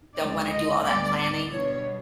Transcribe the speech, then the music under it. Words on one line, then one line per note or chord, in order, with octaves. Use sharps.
don't want to do all that planning
D2 C#3 F3 G#3 D5
D#5
D2 D3 G3 B3 D5
B2 G3 B3 D4 C#5